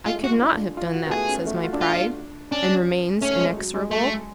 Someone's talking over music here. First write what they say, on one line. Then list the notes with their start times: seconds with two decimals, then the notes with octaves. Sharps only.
"I could not have done that," says my pride, and remains inexorable.
0.06 G#3 F4
0.16 A3
0.24 F#4
0.33 F4
0.42 D4
0.77 F4
0.94 F#4
1.07 B3
1.11 A3 G#4
1.29 C#4
1.46 A3
1.55 F#4
1.64 F4
1.73 D4
1.81 F4
2.51 C#4 D4
3.21 A3 C#4
3.40 G#3
3.57 F#3
3.74 G#3
3.91 A3